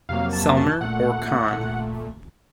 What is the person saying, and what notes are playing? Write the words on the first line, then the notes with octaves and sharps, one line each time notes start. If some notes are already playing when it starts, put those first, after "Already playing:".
Selmer or Conn.
F2 C3 F#3 A#3 F5
A5
A5
A#2 A3 F#5
A#2 A3